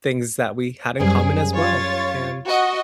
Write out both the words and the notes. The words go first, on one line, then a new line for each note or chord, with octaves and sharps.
things that we had in common as well, and
F#2 G3 G#4 C5
F4 C#5 A6
F#4 D#5